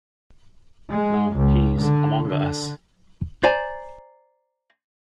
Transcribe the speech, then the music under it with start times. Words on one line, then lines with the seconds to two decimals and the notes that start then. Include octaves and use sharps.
Now he is among us.
0.92 G#3
1.37 C#2
1.80 D3
2.27 D3
3.43 C5 D5 G#5 A#5